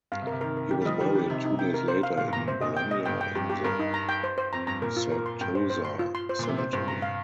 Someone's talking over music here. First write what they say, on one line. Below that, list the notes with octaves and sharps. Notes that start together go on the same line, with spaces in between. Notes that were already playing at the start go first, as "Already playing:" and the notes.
He was buried two days later in Bologna in the Certosa cemetery.
G2 F5
C3
A#4
C3
D#3 A#4
A#4
D#3 G4
G3
F3 D#5
D#3 G4
G4
C3 D#4
D#4
G5
A#4
C5
F5
A#2 F5
G2
A#2 A#5
C3 C5
A#2 D#5
G5
D#5
G2 G5
G5
G2 G4
G4
G2 A#4
D#4
A#5
G5
C5
C5
F2 A#5
G2 A#5
A#2 A#4
F4
A#4
C6
G2 G5
C5
C5
C6
F4
C6
C5
A#2
C3 C6
C5
G2 C5
A#5
F5